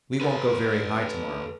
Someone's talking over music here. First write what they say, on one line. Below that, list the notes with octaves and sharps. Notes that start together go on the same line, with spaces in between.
We won't go very high to-morrow.
A4 B4